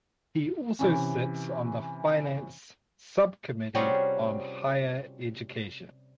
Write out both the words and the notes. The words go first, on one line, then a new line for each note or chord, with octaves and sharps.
He also sits on the Finance Subcommittee on Higher Education.
C3 E3 C#4
C3 G3 C#4 F4 F#4 G#4